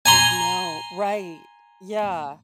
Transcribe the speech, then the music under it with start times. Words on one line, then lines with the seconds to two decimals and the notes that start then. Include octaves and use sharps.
Is no Right. Yeah.
0.06 G#5 A#5 C6